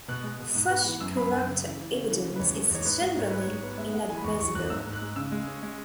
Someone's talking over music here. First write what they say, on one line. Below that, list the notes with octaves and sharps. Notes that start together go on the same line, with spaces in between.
Such character evidence is generally inadmissible.
B2 F#6
G#3
B2
G#2
B3
E3
F#2 E6
F#2 B5
F#2 G#5
C#3
E3
E3
C#3 C#5
E3
C#3
B4
E2 C#5
G#3
E2 C#5
G#2 B4
G#3
E5
G#2 C#5
G#2 B4
C#5
G#2
B3
G#3 E5
G#3 F#5
E3 G#5
B5
E2 C#6
E2 C#6
E2 F#6
G#2 E6
G#2
F#6
G#3
C#3 E6
G#3
C#4
G#3